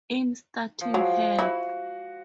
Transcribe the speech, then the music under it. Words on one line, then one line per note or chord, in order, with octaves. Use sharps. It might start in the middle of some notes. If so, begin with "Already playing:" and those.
In starting Help!
F3
F#3 G#3
E4 F#4